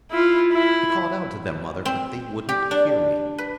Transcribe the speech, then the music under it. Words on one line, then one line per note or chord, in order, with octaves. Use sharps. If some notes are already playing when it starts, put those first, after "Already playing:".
"I called out to them, mother, but they wouldn't hear me."
E4 F4
E4
C4
G4
D4
B4